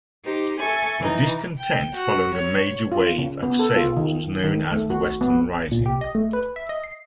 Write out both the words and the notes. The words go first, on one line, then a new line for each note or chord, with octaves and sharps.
The discontent following a major wave of sales was known as the Western Rising.
D#4 G4 C5
A4 E5 G#5 C#6
E3 D#4
G5
F#4
C#5
F4
C#3
B3
A4
F4
D#3
D#3
A3
F#4
B3
A#2
G4
D#5
A3
B4
E5
D#5
C7